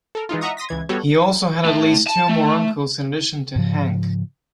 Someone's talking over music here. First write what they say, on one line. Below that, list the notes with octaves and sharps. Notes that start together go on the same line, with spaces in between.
He also had at least two more uncles in addition to Hank.
A4 A#4
E3 G#3 D#4 F4
D#5 E5 F#5 A#5 C#6 D#6
C6 D#6 A#6 B6
C#2 E3 G#6
G3 B3 F#4 A4 C#5
A2 A3
A5
A3
G#2 C#3 F3